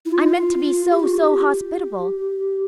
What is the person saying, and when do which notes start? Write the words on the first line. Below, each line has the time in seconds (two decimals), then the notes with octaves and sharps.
I meant to be so--so--hospitable.
0.05 E4
0.12 F4
0.90 G4
1.00 F4
1.10 G4